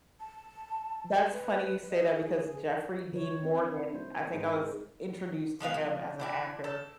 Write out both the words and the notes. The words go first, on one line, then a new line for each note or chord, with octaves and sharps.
that's funny you say that because Jeffrey Dean Morgan, I think I was introduced to him as an actor
A5
B4
D#5
G#4
D3 B4 C#5
C4 E4
G3 D#4 C5
G#2
F3 G#3 B3 F5
F3
E3 D4 E4
A4 A5